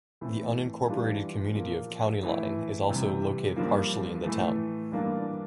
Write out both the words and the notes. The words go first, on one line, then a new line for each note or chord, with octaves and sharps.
The unincorporated community of County Line is also located partially in the town.
A2 E3 A3 C4 E4
E3 G3 D4 F4
A#2 F3 A#3
E3 A3 E4
C3 E3 G3
G2 D3 F3 A#3
A2 E3 A3
G2 E3 A#3 D4